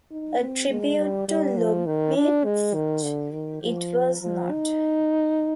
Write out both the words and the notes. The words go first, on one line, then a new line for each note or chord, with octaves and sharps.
A tribute to Lubitsch, it was not.
D#4
C4
G#3
G3
G3
F3
D#3
D4
G#3
D#3
D3
D#3
F3
F3
D#4